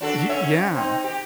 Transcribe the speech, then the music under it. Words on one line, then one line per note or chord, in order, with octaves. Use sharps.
Y yeah,
D4 F#4 A4
F#2 C#4 E5
C4 D#4
G4